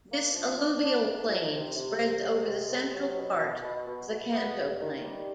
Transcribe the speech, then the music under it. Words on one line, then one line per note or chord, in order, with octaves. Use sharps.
This alluvial plain spreads over the central part of the Kanto Plain.
A#3
F3
D4
D4
G#2
F3
C3
C3
C3
G#3
C3
C3
F#3
B2
B2
B2
B2
B2
B3
G2
D#3
G3